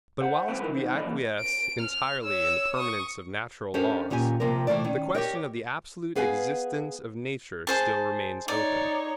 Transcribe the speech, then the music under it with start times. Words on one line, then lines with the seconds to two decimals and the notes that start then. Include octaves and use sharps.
But whilst we acquiesce entirely in the permanence of natural laws, the question of the absolute existence of nature still remains open.
0.21 C5 F#5
0.48 D2 G#2 C4 B4 G5
0.60 D#3 E3 F#3 C4 A#4 B4
0.74 D#3 C4
0.93 F2 B2 D4 D#5 B5
1.06 E3 G3 A#3 B3
1.40 D7
1.80 F6
2.24 C#5 E6
2.77 C#6 D#6
3.74 C#4 D4 G4 A4 A#4 C5
4.10 D#2 A#2 C#4 G4 G#5
4.40 D#2 C3 F3 A#3 A#4
4.67 C3 E3 A3 A4 D5
4.84 D#3 C#4
5.15 G4 A4 A#4 C#5 D#5 G5
6.15 B3 G#4 B4 F5 G#5
7.67 G#4 C5 A5
8.48 D#4 C#5 D5